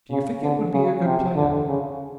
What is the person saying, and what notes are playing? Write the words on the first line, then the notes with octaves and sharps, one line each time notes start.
"Do you think it would be a good plan?"
C#3
D3
C#3
C3
D3
C#3